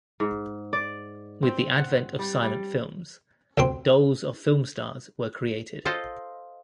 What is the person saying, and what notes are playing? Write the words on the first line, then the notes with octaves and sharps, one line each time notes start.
With the advent of silent films, dolls of film stars were created.
G#2
D5
C4
F#5
G3
G3
A1 D2 C4 C6
F4 A4 C5 D#5